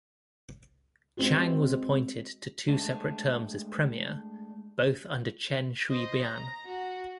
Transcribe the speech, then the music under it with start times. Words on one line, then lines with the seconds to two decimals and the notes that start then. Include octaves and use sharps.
Chang was appointed to two separate terms as Premier, both under Chen Shui-bian.
1.17 G#3 C4 F#4
2.68 G#3 A3 D4
5.90 C5 D#5
6.23 A#5
6.66 F#4